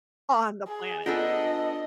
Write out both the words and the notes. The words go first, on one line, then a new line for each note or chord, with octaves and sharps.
on the planet.
G#4
B3 D4 F4 A4 D#5